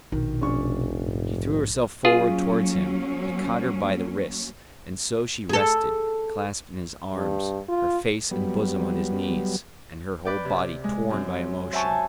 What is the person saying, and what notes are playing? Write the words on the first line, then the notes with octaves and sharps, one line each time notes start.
She threw herself forward towards him, he caught her by the wrists, and so she rested, clasped in his arms, her face and bosom on his knees, and her whole body torn by emotion.
A#1 B2 D#3
F1 C#4 D4 C#6
G#2
F#3 A#3 C#4 F4 G#4
G#4 A4
G2
F4
F#3 G3 B3
B4 D5 G5
C3
G#3
F#2 C4
C5 E5 F#5 G#5 A5 C#6